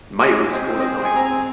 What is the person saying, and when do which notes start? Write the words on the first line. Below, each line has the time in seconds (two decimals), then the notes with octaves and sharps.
Males call at night.
0.21 G#4 D#5
0.37 G#4
0.52 C4 C5
0.68 C4
0.79 D#5
0.84 G#4 C5
0.99 G#4
1.05 G#5
1.15 C4 A#5
1.25 G#5
1.30 C4